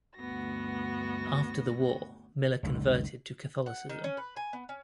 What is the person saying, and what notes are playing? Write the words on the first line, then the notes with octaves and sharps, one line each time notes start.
After the war, Miller converted to Catholicism.
D2 G2 B3 F#4 A#6
F#1 C#2 D3 D#3
F#5
D#3
C#4
B4
G#5
B3
C#4